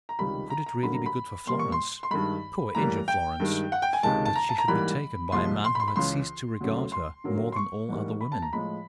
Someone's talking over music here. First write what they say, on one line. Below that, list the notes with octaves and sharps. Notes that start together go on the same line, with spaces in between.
Could it really be good for Florence--poor injured Florence, that she should be taken by a man who had ceased to regard her more than all other women?
A#5
C#2 C3 D#3 G3 B5
A#5
A#5
G2 D3 F#3 A#3 B5
A#5
B5
A#2 G3 A#3 C6
C#6
C6
C6
G2 D#3 G#3 B5
A2 E3 G3 A#3 A#5
G5
G2 D#3 G#3
F#5
G5
G#5
C#2 C3 D#3 G#3 A5
A5
A#5
A5
A#5
G#2 E3 G3 A#3 B5
C2 A#2 F3 G#3 C6
C6
B5
C6
B5
C#2 C#3 E3 C6
D2 C#3 F#3 A3
C6
F#2 D3 F#3 A#3
C6
C#6
G#2 E3 G3 A#3
B5
A5
A#5
A2 F3 G#3 B5